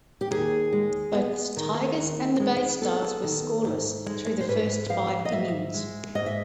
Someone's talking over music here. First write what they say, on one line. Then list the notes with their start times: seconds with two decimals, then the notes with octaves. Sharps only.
Both the Tigers and the Baystars were scoreless through the first five innings.
0.21 G4
0.31 D#2 G#4
0.72 G#3
1.15 B3
1.56 D#3
1.98 D#2
2.40 G#3
2.81 B3 A4
3.23 D#3
3.65 G#2
4.06 G#3
4.40 C5
4.48 G#2 B4
4.89 F3 F5
5.25 D#5
5.31 G#2 E5
5.74 G#3
6.15 G#2 D#5
6.26 E5